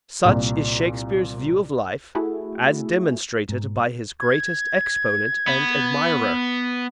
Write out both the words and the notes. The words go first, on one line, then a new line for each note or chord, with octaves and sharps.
Such is Shakespeare's view of life as demonstrated by his greatest exponent and admirer.
C2 A#2
A3 E4 F#4 G#4
G#2
G#6
B3